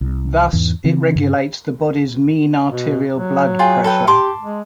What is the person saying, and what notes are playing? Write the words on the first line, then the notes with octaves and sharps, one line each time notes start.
Thus, it regulates the body's mean arterial blood pressure.
C2
E2 G#2 E3
C#3 E3 C4
G2 C#3
B2
F#3
F4 G#4 G5
A4 B4 G5
G4 A5 C6 D6
G#3